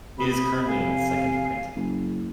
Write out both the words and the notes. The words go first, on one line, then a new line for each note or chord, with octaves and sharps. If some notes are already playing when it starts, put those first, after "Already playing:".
It is currently in its second printing.
C3 B4 B5 D#6
F5 G#5
F#1